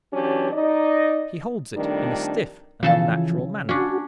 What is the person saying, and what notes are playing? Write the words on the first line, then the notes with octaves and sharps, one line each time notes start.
He holds it in a stiff and unnatural manner.
E3 F#3 C#4 D4 F#4 G4
D#4 D5 D#5
F2 D#3 G3 A3 D4
C#3 E3 F3 A4 A5
C#4 D4 F#4